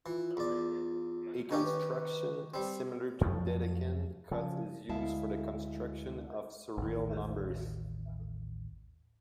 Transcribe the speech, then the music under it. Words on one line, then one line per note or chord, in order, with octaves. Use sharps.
A construction similar to Dedekind cuts is used for the construction of surreal numbers.
E3 F4
E2 D5
D#3 C#4 D4 G4
B4
G3 C4
F2 F3 F#3 A3
C#3 F3
D2 G#3 E4 E5 F5 A5
A1 D#2